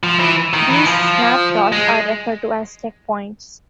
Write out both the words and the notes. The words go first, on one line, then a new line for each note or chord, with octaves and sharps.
These snapshots are referred to as "checkpoints".
F3
E3
D#3
E3
F3
G#3